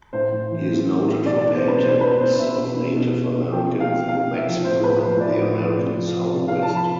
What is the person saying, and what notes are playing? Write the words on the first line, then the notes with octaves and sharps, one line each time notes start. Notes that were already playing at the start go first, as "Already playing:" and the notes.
He is noted for paintings of Native Americans, New Mexico and the American Southwest.
A2 C5
A2
E3
E3
A2
E3
B2 D5
B2 D5
C5
B2 B4
B2 C5
B2 B4
B2 C5
B2 E5
B2
B2
B2
B2
B2
F3 G5
C3
F5
C3
C3 F5
C3
E5
F3
A2 C5
A2 B4
F3 B4
A2 D5
A2
F3
C3
F3
F3
C3
F5
C3
A5
F3 B5